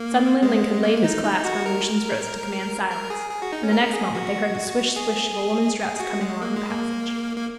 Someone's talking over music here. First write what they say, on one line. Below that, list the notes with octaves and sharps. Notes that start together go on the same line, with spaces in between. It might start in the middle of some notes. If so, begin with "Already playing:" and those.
Suddenly Link had laid his clasp on Lucian's wrist to command silence, and the next moment they heard the swish-swish of a woman's dress coming along the passage.
Already playing: A#3
G#3
A#3
D#4
D#4
F#4
A#4
A#4
G#4
G#4
F#4
D#4
C#4
A#4
G#4
F#4
G#4
G#4
G#4
F#4
G#3
A#3
G#3
A#3
A#3